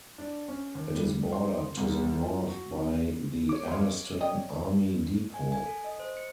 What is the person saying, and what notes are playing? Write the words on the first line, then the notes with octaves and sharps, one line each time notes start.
It is bordered to the north by the Anniston Army Depot.
D4
C#4
D#2
G3
C6
C2
F4
F#4
D#3
C#5 D6
G#3 F5
D5 D#5 G5
G#5
G#5
A4
D#5
C5
C#7